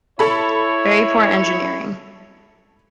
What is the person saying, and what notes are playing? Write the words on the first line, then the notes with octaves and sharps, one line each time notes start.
Very poor Engineering.
E4 A4 C#5 B5